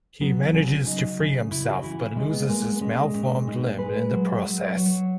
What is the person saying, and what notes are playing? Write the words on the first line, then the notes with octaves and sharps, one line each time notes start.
He manages to free himself but loses his malformed limb in the process.
F#3 B3
B3
C#3 C#4
C#4
F#3 D#4
C#3
C#3 E4
F#4
E3 E4
G#3 C#4
B3
G#3 A#3
B3
G#3 C#4
A#2 C#4
A#2 D#4
G#3 B4
F#3
F#3
F#3 C#5